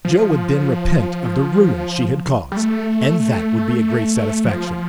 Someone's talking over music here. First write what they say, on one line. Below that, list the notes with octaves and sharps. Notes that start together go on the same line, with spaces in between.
Joe would then repent of the ruin she had caused, and that would be a great satisfaction.
F3
G3
A3
A3
F3